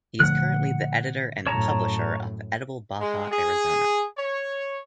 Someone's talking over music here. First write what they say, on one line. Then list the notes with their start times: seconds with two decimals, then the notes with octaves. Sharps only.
He is currently the editor and publisher of "Edible Baja Arizona".
0.20 A#2 D3 F3 A3 F#5 F#6
1.47 F#2 A2 C#5 A5 A#5
3.00 G#3
3.32 G#4
4.18 C#5